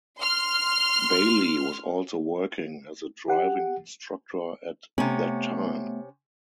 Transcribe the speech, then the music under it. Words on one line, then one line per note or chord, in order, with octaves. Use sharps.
Bailey was also working as a driving instructor at that time.
C6 F6
G4 F#5
C3 A3 B3 C#4